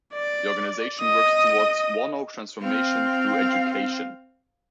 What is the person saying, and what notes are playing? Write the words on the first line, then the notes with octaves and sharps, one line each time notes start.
The organisation works towards 'whanau transformation through education'.
D5
D#5 D#6
C4 F5